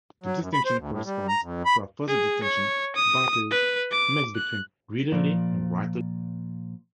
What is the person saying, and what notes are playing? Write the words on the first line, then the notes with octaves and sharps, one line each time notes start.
The distinction corresponds to a further distinction Barthes makes between "readerly" and "writerly" texts.
F#3
F#2
B5
C5
D2
A2
G3
A#5
F2
B5
G#4
C#5
D#6
B4
D6
F#6
A#2 F3 D5